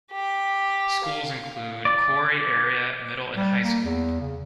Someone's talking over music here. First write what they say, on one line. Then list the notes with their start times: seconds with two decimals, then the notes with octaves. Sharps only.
Schools include Corry Area Middle and High School.
0.12 G4
1.04 F5
1.85 D5
3.37 G3
3.64 A#3
3.84 E2
4.21 C#3